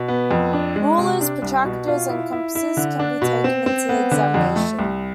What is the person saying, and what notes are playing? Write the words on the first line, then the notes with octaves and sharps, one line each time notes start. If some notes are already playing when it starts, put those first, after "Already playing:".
Rulers, protractors and compasses can be taken into the examination.
Already playing: B2
B3
F2
D4
G#3
C3
D4
C2
B2
F4
E4
E4
E4
D3
D4
B2
C4
C4
B3
D3
F2
A3
C2